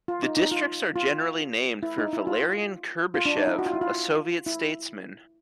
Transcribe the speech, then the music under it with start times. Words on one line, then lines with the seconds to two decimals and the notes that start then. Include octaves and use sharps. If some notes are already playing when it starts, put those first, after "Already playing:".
The districts are generally named for Valerian Kuybyshev, a Soviet statesman.
0.08 F4
0.23 D#4
0.37 D#4
0.52 F4
0.96 F4
1.83 E4
1.98 D#4
2.13 E4
2.27 F4
3.14 F4
3.26 D4
3.37 D#4
3.47 E4
3.59 F#4
3.66 F4
3.74 E4
3.81 F4
4.46 E4